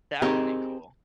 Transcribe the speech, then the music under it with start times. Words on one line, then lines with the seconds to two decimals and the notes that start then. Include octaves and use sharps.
That would be cool.
0.22 C4 D#4 G4 G#4 A#4